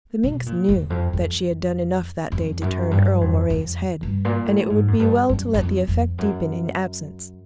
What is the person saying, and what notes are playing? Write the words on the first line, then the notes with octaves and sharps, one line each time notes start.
The minx knew that she had done enough that day to turn Earle Moray's head, and it would be well to let the effect deepen in absence.
B2
A#2
E2
F2
F2
F2
F#2
G2
F2
F2
G2
A#2
A2
G#2
F#2
G2
F#2
F#2
F2
F2
F#2